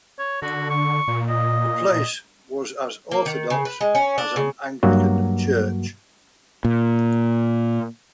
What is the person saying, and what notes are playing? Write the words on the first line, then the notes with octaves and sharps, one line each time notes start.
The place was as orthodox as an Anglican church.
C#5
D3 F#4
C#6
A#2
D#5
A#3
D#3
C#3
B4
G#3
C#4
D4
C#3
G2 F#3 A#3 F#4
A#2